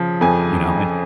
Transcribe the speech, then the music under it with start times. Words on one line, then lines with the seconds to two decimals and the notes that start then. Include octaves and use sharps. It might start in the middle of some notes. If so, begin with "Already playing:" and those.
you know, an
Already playing: C#3 F3
0.21 F2 G#5